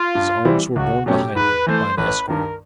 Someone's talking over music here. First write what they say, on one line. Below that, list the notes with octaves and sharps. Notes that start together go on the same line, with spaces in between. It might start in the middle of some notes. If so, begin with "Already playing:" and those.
His arms were borne behind him by an esquire.
Already playing: F4
G2
E3 G3 C4 E4
C#2 F#4
B2 F#3 A3 C#4 G4
G#2 B4
E3 A3 C5
A1 B4
G2 D#3 A#4